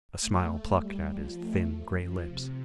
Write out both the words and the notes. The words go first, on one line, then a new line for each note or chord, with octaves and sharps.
A smile plucked at his thin, gray lips.
A3
G3
F3
A3
F3
C3